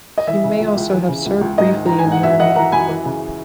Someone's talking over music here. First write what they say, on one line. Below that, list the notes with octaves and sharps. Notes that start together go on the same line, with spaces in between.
He may also have served briefly in the army.
D#5
E3 E5
C#3
C#2
C#2
E3
C#3
C#2
C#2
G#2 D#5
D#3
D#3 A#5
G#5
G#2
F#5
F#2 E5
E3 D#5 F#5
E3 F#5 A#5
F#2 G#5 B5
E3
C#3